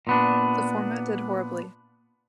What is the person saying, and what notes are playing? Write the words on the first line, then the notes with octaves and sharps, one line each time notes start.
The format did horribly.
A#2 B3 D4